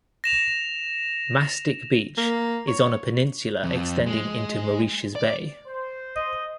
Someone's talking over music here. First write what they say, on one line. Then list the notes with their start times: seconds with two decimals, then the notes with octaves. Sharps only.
Mastic Beach is on a peninsula extending into Moriches Bay.
0.24 A#6 E7 F7
2.17 A#3
2.68 C#5
3.64 F2
4.06 G#3
5.15 D5
5.66 C5
6.16 D#5